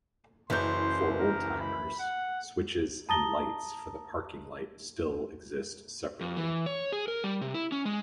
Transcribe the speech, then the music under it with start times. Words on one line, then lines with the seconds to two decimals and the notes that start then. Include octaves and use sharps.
For old-timers, switches and lights for the parking light still exist separately.
0.50 F#1 F#2 E3 C6 G6
1.19 A#4
1.60 B5
1.99 F#5
3.09 A5 A#5 D#6 A6 A#6 G7
6.21 F2
6.37 E3
6.66 C#5
6.92 G#4
7.08 A#4
7.24 G3
7.41 C3
7.54 E4
7.72 C#4
7.85 G#3